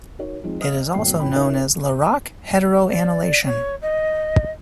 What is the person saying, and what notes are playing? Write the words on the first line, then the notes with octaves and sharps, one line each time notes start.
It is also known as Larock heteroannulation.
D#4 F#4 A#4 C#5
F3 G#3 C4 D#4
D#5 D#6 F6
G#1 B2 F#3 A3 G5 C7
A1 F2 C#3 C#4 G5 B5
D#4 E4 F#4 A#4 C#5 E5
D5
C#5
D#5